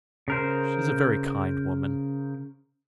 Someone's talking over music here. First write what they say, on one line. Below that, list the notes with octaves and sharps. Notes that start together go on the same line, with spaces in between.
She is a very kind woman.
C#3 A#4 C5